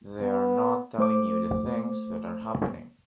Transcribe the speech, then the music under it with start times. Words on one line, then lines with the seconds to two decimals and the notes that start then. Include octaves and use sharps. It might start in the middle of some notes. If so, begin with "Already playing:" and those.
They are not telling you the things that are happening.
0.21 B3
0.98 A3 C5 D6